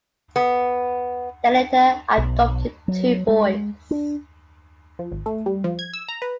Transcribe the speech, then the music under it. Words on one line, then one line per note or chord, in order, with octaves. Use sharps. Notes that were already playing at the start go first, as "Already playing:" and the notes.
They later adopted two boys.
B3
B1
F#3
G#3
D4
F3
G#1
A3
G3
F3
G#6
E6
A#5
B4